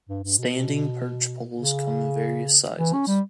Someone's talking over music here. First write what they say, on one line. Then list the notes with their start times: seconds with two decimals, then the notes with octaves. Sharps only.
Standing perch poles come in various sizes.
0.09 G2
0.24 G2
0.38 B2
1.58 C#3
2.78 E3
2.93 C#4
3.07 G3